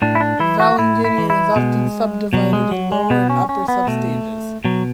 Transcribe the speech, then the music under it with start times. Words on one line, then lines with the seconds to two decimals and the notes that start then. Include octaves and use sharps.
The Valanginian is often subdivided in Lower and Upper substages.
0.02 A2 D4
0.15 E4
0.20 D4
0.40 E3 E4
0.60 F#4
0.78 A2 E4
1.04 E4
1.18 E3
1.30 E4
1.56 B2 G#3
2.33 B2 F#3
2.53 G#3
2.71 F#3
2.92 G#3
3.10 B2 B3
3.30 C#4
3.49 C#4
3.68 B3
3.87 B2 A3
4.65 B2 F#3